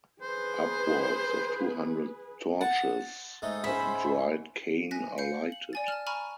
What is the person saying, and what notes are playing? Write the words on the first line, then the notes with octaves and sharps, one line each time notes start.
Upwards of two hundred torches of dried cane are lighted.
G#4 B4 C5
F#5 A5
G#2 A3 D#4
G#2 C#4 C5 E5 B5
G#5 F#6 A#6 B6
F5 G6 C7 C#7
F#7
D5 G#5 A6
A5 F6
G#5 A#5 B5 C#6 F6